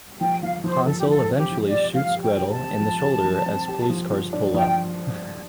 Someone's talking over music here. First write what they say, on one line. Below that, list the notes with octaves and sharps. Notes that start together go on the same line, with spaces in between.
Hansel eventually shoots Gretel in the shoulder as police cars pull up.
F3 G5
F3 F5
F3 C5
F3 A4
G4
F3 A4
C4
G4
F3
D5
G4
F3 F5
G4
G5
G4
A5
C4
F3
G4
F3
C4
G4
F3
F3
D4
F3 G5